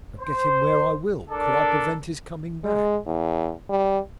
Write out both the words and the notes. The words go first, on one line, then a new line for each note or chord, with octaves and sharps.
"But get him where I will, could I prevent his coming back?"
C5
D4 A4 A#4 D5
G#3
E2
G3